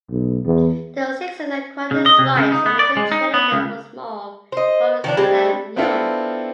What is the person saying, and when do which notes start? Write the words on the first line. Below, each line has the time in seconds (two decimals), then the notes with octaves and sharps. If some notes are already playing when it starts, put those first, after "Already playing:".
The Sixers acquired his rights, and later traded them for small forward Sam Young.
0.10 B1
0.45 E2
1.91 C#3
2.06 D#5
2.19 C3
2.37 C#3
2.52 D#4
2.66 B3
2.79 D5
2.97 G#3
3.12 D#4
3.34 B3
3.52 C#2
4.52 C5 D#5
5.04 D#3 F3 D4
5.17 G3 G#3 C4 D4
5.76 B3 C4 D4 E4 F4 A4